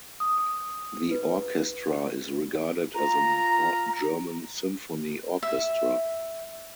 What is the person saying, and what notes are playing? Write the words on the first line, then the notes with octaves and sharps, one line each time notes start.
The orchestra is regarded as an important German symphony orchestra.
D#6
B4
F4 A#5
E5